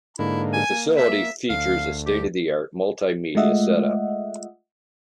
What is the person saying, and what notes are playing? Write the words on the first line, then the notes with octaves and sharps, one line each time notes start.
The facility features a state-of-the-art multi-media setup.
G#2 D3 A#3 E4
G#5
A#3
E5
D2 F5
G4
G#3 A3 F4 D#5 E5 F#5